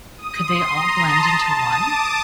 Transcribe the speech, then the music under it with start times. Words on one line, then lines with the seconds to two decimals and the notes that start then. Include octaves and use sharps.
Could they all blend into one?
0.17 D#6
0.44 C6
0.72 A#5
1.01 A5
1.29 A5
1.57 D#6
1.85 D6